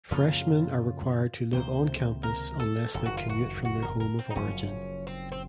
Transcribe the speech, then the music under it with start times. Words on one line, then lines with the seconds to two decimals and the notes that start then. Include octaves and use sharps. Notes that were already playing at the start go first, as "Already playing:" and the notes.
Freshmen are required to live on-campus, unless they commute from their home of origin.
0.11 F#2 C#3 F3 A#3 F4
1.53 C#2 C3 D#3 A#3 C5
2.23 A#4
2.60 A4
2.94 F#1 F2 D#3 A4
3.06 F#4
3.17 F4
3.29 F#4
3.65 F#4
3.82 A#4
4.00 A#4
4.19 C4
4.30 D#4
4.36 F#1 F#2 F3 C#4
5.07 C4
5.32 C4